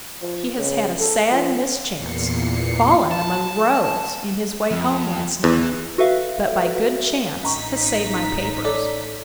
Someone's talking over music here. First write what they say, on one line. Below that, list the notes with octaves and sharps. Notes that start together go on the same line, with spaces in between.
He has had a sad mischance; fallen among rogues in his way home last night: but by good chance has saved my papers.
F3
C#3
A4
F3
E2 A#2 C7 C#7
A5
F2
E2 E3
F#4 A4 B4 E5 F5
A1 C#4 D#4 A#5 C#6 B6
A4 C#5 D5